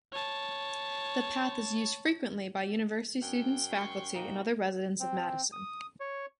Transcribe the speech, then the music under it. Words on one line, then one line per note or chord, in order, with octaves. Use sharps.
The path is used frequently by university students, faculty, and other residents of Madison.
C#5 A5
F#2 G5
C6 C#6
B1 A#3 D#4 F#4
C4
D#6
C#5